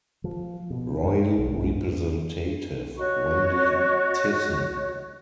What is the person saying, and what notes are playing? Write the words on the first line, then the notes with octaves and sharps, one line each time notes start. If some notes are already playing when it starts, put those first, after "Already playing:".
Royal representative, Wendy Thiessen.
F3
B2
G2
B1
G#2
F#4 C#5 D#5 C#6